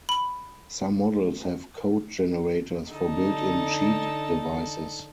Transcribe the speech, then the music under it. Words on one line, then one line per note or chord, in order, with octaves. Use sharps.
Some models have code generators for built in cheat devices.
B5
D3 D#4 A4